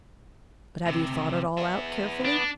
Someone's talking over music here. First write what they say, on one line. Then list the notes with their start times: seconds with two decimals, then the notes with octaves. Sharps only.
But have you thought it all out carefully?
0.86 D2 C3
1.57 B3 E5
2.25 D4